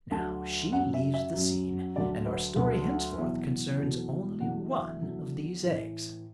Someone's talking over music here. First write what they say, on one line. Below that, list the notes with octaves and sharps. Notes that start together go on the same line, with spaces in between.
Now she leaves the scene, and our story henceforth concerns only one of these eggs.
D2 D3 F#3 A5
F#2 F#3 F#5
E5
E5
F#2 F#3
D2 D3 F#3 D5
B4
D2 D3 F#3 B4
E2 B2 F#3 E5
E2 B2 F#3 A4
E2 D3 F#3 F#5
E5
E2 D3 F#3
A2 E3